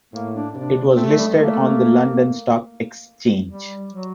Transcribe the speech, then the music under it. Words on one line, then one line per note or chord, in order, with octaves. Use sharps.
It was listed on the London Stock Exchange.
A2 A#3
D4
C3 D4
A3 C4
G3
A3
A3 A#3
G3
F#3